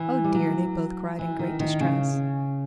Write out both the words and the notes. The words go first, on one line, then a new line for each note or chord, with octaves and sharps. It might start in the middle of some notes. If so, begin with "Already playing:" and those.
"Oh, dear!" they both cried in great distress.
Already playing: E3
G3
F#3
E3
D#3
D#3
C#3